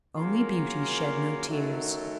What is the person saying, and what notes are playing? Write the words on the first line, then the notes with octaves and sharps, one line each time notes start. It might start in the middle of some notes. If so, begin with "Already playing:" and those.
Only Beauty shed no tears.
C#3 F#3 A#3 F4 A#4
F#2 D#3 F#3 A3